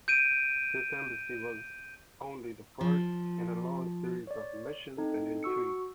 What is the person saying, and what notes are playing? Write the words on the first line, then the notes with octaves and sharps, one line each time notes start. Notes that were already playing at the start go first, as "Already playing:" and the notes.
This embassy was only the first in a long series of missions and intrigues.
G6 D7 D#7
F3
C#5 D5
C4 D#4 A4
F#4 C#6 E6 C#7